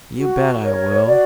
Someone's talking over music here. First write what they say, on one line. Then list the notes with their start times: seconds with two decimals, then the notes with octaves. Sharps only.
You bet I will!
0.16 F#4
0.61 A#4 C#5
1.05 F#4 D5